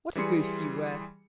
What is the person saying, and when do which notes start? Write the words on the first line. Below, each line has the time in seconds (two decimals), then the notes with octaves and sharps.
"What a goose you were."
0.15 E3 G3 G#4 C6 C#7